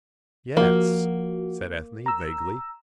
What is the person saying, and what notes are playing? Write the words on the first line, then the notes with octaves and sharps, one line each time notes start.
"Yes," said Ethne, vaguely.
F3 A#3 F#4
A#5 E6